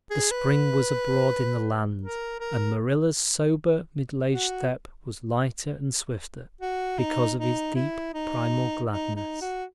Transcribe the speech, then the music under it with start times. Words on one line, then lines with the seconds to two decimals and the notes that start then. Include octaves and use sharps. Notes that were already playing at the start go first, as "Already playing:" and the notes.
The spring was abroad in the land and Marilla's sober, middle-aged step was lighter and swifter because of its deep, primal gladness.
0.11 G#4
0.31 B4
2.03 A#4
2.40 A#4
4.32 F#4
6.61 F#4
6.99 D#4
7.38 D#4
7.76 E4
8.14 D#4
8.90 D#4
9.16 D#4
9.41 F#4